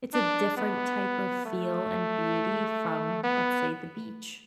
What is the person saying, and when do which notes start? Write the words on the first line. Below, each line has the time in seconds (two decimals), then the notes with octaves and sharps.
it's a different type of feel and beauty from, let's say, the beach.
0.14 D4
0.57 B3
1.46 A3
3.24 B3